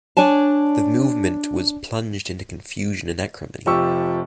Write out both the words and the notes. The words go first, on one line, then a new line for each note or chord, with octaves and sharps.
The movement was plunged into confusion and acrimony.
D4 C#5 G#5 A5
F1 F3 G4 C#6 E6